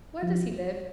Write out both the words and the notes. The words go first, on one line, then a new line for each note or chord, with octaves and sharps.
Where does he live?'
F3